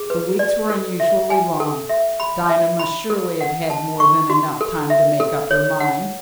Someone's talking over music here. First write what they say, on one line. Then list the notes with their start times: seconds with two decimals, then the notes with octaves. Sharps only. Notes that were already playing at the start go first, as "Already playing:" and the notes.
The weeks were unusually long: Dinah must surely have had more than enough time to make up her mind.
Already playing: G#4
0.10 B4
0.39 D5
0.70 A4
1.00 E5
1.30 G#5
1.60 A4
1.89 E5
2.20 B5
2.49 E5
2.79 B5
3.10 A4
3.41 F#5
3.70 A5
4.00 C#6
4.30 F#4
4.61 A4
4.90 E5
5.20 A4
5.51 C#5
5.80 F#5